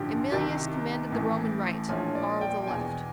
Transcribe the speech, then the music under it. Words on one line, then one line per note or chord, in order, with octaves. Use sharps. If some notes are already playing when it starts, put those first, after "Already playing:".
Emilius commanded the Roman right, Varro the left.
Already playing: A1 G2 D3 F3 G4
C2 C3 D#3 G4
A1 A2 E3
A#1 A#2 F3 C#5
D5
G5
E2 B2 G#5